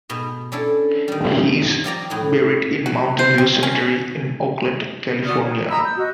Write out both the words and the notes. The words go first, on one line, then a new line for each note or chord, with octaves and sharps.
He is buried in Mountain View Cemetery in Oakland, California.
G#2 B2
C#4 D4 E4 A4
D#3 G3
F3 C4 D5 A#5
A2 F#3 D#4
F#4
C5
C4
C#4
F#4 D5 D#6 F6
C#5
G5
A#5 B5 D#6 E6
E6 G6
F#4 D#5